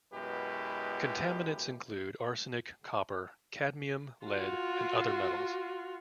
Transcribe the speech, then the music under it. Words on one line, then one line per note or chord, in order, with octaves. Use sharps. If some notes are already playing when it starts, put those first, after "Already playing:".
Contaminants included arsenic, copper, cadmium, lead and other metals.
F#2 B2 G#3 E4 G4 B4
F4 F#4